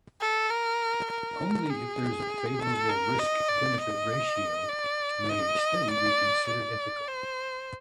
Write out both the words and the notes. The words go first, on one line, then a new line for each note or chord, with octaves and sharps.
Only if there is a favorable risk-benefit ratio may a study be considered ethical.
A4
A#4
A#4
G#4
A4
A#4
D#5
D5
D#5
D5
D#5
D5
D5
C5